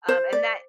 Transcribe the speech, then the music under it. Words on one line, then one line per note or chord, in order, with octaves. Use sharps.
um and that
C5
D5